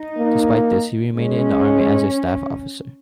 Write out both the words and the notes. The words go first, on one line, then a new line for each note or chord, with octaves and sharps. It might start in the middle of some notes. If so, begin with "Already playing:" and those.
Despite this, he remained in the army as a staff officer.
Already playing: D#4
A#3
G#3 C#4